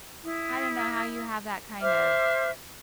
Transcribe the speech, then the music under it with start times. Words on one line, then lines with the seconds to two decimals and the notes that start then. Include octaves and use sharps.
I don't know how you have that kind of
0.23 E4 D#6
1.80 C5 E5 D6 F6